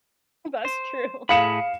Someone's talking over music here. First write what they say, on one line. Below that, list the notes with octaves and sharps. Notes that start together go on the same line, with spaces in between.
That's true.
C5
A2 G#4 F5 B5 C#7 E7